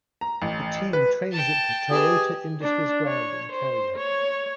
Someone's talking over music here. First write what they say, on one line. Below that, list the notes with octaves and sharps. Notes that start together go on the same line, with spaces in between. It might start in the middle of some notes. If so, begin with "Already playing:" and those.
The team trains at the Toyota Industries ground in Kariya.
A#5
A1
B4
G5 A5
G4 G#4 B4 D#5
D4
C#5
C5
C#5